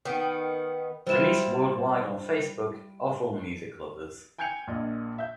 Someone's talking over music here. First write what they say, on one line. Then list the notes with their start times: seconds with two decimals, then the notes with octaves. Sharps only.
Released worldwide on Facebook of all music lovers.
0.05 D#3 B3
1.07 G3 E4 F4 C5 E7
4.38 G5 G#5 G6 G#6 C#7 F7
4.67 A#1 A#2 D5 D#5
5.18 E5 G6